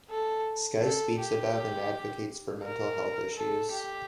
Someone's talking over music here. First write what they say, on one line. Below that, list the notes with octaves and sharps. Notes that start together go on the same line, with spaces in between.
Sky speaks about and advocates for mental health issues.
A4
A4
G4
A#4
A4
G4